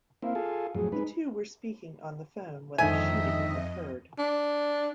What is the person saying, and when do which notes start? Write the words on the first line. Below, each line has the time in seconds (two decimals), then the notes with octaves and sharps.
The two were speaking on the phone when the shooting occurred.
0.22 A#3 C4 E4 F5
0.35 F4 G#4 A4
0.75 F2 A2 F#3 G#4
0.92 G#3 D#4 B4
2.78 F2 G#2 D3 D#3 D#4 D#5 E5 G#5
4.19 D4